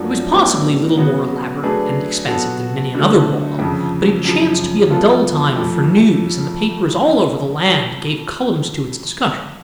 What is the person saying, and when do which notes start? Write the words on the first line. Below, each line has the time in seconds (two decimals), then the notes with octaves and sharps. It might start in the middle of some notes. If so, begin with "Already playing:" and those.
It was possibly little more elaborate and expensive than many another ball, but it chanced to be a dull time for news and the papers all over the land gave columns to its discussion.
Already playing: F#2 F3 A3 D4 F#4
0.33 A2 F#3 B3 D4
0.97 C#3 F#3 B3 F#4 B4
1.63 F#3 A3 D4 G#4 B4
2.28 F#3 B3 F#4 A4
2.95 D3 F#3 A3
3.59 F2 C#3 F3
4.25 F#2 C#3 F3
4.90 F#2 F3 B3 F4 A4
5.56 F2 F3 A3